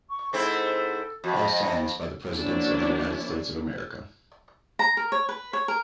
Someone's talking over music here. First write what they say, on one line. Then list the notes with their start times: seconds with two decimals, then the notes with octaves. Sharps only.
All songs by The Presidents of the United States of America.
0.10 C#6
0.33 G#2 C4 E4 A4
1.24 F2 F#4
1.39 D#5
2.36 F3 F#3 A#3 C#4 D4 E4
4.79 A#5
4.97 A#4
5.12 C#5
5.29 B4
5.53 C#5
5.68 A#4